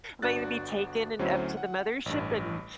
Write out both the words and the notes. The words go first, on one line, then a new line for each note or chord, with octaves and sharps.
am I gonna be taken and up to the mothership?" And
G1 D4 F#4 F#6 A6
D2 F#3 C4 C#4 E4 C5
F#5
A1 G2